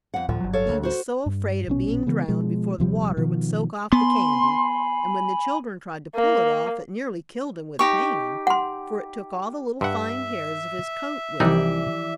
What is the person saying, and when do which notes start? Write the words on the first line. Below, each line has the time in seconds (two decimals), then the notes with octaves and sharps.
He was so afraid of being drowned before the water would soak off the candy and when the children tried to pull it off it nearly killed him with pain, for it took all the little fine hairs of his coat with it.
0.14 F2 F#5
0.29 D2 A2 F3
0.40 G1 F#3
0.53 A4 C#5 F5
0.69 D2
0.83 F#4 C5
1.26 G2
1.68 A#1 B2 C#4
2.06 C#3 E3 G#3 B3
2.28 B2 F3 G#3
2.78 D#1 C3 F3 G3
3.17 B2 D#3 F3
3.92 B3 G#5 B5 C6
6.15 A#3
7.79 D#4 G4 C#6
8.47 F#5 C6
9.81 G2 E5 F#5 C6
11.40 C2 E3 F3 G3 D#4 G4 D5 E6